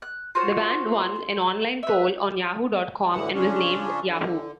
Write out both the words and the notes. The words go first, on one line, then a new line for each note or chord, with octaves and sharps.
The band won an online poll on Yahoo dot com and was named Yahoo!
F#6
F4 F#4 C5 C#5
C6
B4 E5
D2 A2 D3 E3 F#5
C#3 F3 C#4 D4
D3